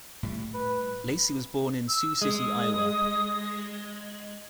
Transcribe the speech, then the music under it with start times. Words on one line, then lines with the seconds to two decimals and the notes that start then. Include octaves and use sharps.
Lacy was born in Sioux City, Iowa.
0.23 A2 G3
0.54 B4
1.88 E6
2.22 G#3 D#6